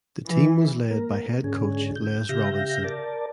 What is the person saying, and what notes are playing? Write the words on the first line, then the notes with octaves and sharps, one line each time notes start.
The team was led by head coach Les Robinson.
E3
A#3 A#4
G#2 D3 C#4 G#4
G6
C#3 G4 E5 F5 G6 A#6
A#4 D5 A5